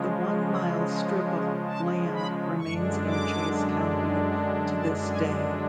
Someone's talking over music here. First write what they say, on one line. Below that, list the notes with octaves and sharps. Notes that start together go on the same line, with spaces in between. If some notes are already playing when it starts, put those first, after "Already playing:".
The one mile strip of land remains in Chase County to this day.
Already playing: C#3 F3 G#3
A5
B5
F#2 D3 G#3 D4 C#6
D6
A5
G#5